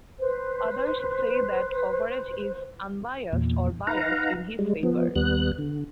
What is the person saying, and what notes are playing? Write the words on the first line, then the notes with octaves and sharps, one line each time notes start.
Others say that coverage is unbiased or biased in his favor.
B4 C5
E2 A#2
D#4 B4 F5 F#5 A#5
G3 G#3
F3 B3
D#2 G3 B3 F#6
D3